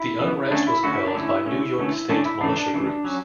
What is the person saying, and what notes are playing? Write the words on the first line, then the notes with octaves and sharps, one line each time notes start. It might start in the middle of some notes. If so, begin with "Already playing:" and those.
The unrest was quelled by New York State militia groups.
Already playing: E4
C#3 E3 G3 B3
D3 A3 C#4 D4
E4
D3 A3 C#4 F#4
E4
D4
D3 A3 C#4 E4
D3 A3 C#4
D3 A3 C#4
D3 A3 C#4 D4
E4
C#3 E3 A3 D4
D4
C#3 E3 A3
F#3 C#4